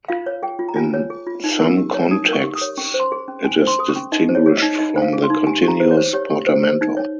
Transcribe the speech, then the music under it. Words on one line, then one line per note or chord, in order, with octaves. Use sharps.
In some contexts it is distinguished from the continuous portamento.
F4 F5
C#5
G#4 G5
F4
A#5
F4 G#5
C#5
G#4
F4
D#4
A#4
G4
C#5
D#4 D#6
A#4
C#6
G4
D#6
C#5
C#4 C#6
C5
C6
G#4
C#4
C#4 G#5
C5
C6
G#4 D#6
C#6
C#4
D#4 D#5
C5
C#5
G#4 C#5
D#5
D#4
D#4 D#5
C5
F5
G#4
C6
D#4
G4 G#5
G4 A#5
C5
C#5
C5
G4 C#5
G4
C5
C5
D#4
C#5